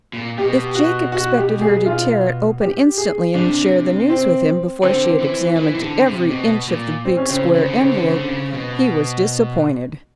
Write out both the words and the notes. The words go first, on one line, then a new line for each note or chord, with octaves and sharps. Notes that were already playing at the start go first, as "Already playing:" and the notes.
If Jake expected her to tear it open instantly and share the news with him before she had examined every inch of the big square envelope, he was disappointed.
A#2
B2 G4
F#4
F#4
G4
G#4
F4
G4
G#4
C3 D4
C4
D3 C4
E3
E3
D#3
D3
C3
B2
A#2
C4
C#4
C#3 C4
C#3
D3
C#3 C4
D3
C#3
D3
C#3
B2